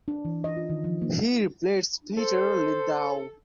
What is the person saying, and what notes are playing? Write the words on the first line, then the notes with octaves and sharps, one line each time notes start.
He replaced Peeter Lindau.
D4
E3
D#5
F4
D#3
F3
A#3
A4 C5